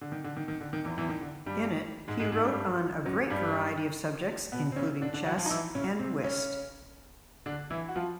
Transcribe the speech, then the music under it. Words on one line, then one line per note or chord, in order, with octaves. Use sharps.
In it he wrote on a great variety of subjects, including chess and whist.
D3
D#3
D3
D#3
D#3
D3
D#3
E2 E3
E2 E3
D#3
D3
G2 G3
G#2 G#3
G#2 G#3
G#2 G#3
G2 G3
F#2 F#3
G2 G3
B2 B3
C4
C#3 C#4
D3 D4
D3 D4
F#3 F#4
F3 F4
D#4
E3 E4
C#3 C#4
C3 C4
C#3 C#4
D3 D4
E3 E4
F#4
F3 F4